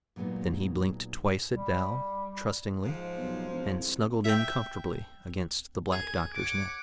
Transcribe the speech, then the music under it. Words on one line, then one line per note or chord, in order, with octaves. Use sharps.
Then he blinked twice at Dal, trustingly, and snuggled in comfortably against the Black Doctor's neck.
A#2 F#3 G#3 B3 D#4
G3
G#2 F3
B1
E1
C2
E5 G5
G#4
C#5 F#5 D6